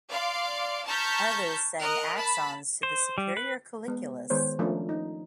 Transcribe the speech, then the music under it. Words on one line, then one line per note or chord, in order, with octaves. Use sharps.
Others send axons to the superior colliculus.
D5 F5 C6 D6
A5 A#5 C#6 F6 G6 B6
A#4 D#5 F#6
A5 B5
C5
G3
B4
G#3 B3
D#3 G#3 B3 C5 C#5
F3 A3 C#4 D4 A4 A#4
D#4